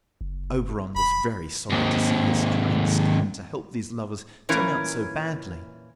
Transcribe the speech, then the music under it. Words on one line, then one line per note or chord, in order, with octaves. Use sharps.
Oberon was very sorry to see his kind scheme to help these lovers turn out so badly.
F#1
E1 B5
D#2 G#2
A#2 E3 C#4 E4 A#4